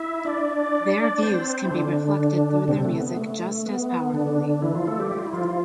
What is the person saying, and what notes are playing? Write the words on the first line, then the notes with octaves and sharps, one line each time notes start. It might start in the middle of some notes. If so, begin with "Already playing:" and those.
Their views can be reflected through their music just as powerfully.
Already playing: E4 E5
D4 D5
C4 C5
E4
D3 D4
C3 C4
A3
B3
A3
B3
D3 D4
E3 E4
F3 F4
A3 A4
G3 G4
G4
F4
E4
F3 F4